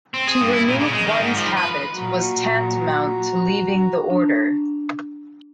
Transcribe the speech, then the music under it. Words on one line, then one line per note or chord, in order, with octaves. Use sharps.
To remove one's habit was tantamount to leaving the Order.
C4
G#4
G2
E4
A#2
C#3
G#3
D#3
G#2
F3
B4
A#2 F#3 F#4 A#5
D4